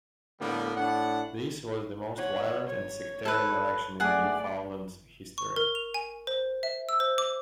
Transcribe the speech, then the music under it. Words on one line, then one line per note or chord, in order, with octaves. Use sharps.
This was the most violent and sectarian election in Newfoundland's history.
A2 D3 G3 A#3 B3
A2 D4 F#5
C#5 F#5
C#5
A4 B4
A3 G#4 D5 F#5
C#6
A#4
F7
G#5
C5
E5
E6
C5
D6